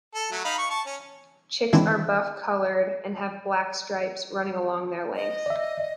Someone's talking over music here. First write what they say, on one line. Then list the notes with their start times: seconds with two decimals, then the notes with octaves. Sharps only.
Chicks are buff coloured and have black stripes running along their length.
0.15 A4
0.32 F#3 A3
0.45 D#4 F5 B5
0.58 C#6
0.70 A5 C#6
0.86 C#4
1.73 D#3 E3 G#3 C4 D4 E4
5.16 D#5
5.46 D5 E5